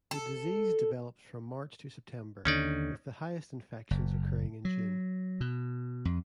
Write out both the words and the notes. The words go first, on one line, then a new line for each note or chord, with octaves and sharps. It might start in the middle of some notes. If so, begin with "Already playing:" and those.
The disease develops from March to September, with the highest infections occurring in June.
A4
D#2 D3 C#4 D#4 D5
F#1
F#3
B2
F2